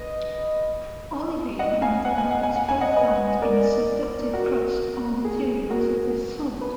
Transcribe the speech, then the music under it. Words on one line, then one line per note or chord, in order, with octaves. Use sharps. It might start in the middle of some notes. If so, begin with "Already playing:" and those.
Olivine and dunite, both found in subducted crust, are materials of this sort.
Already playing: B4 D#5
D#5 F#5
F5 G#5
F#5
G#5
F#5
G#5
F#5
G#5
D#5 F#5
B4 D#5
A#4 D5
F#4 A#4
G#4
F#4 A#4
B4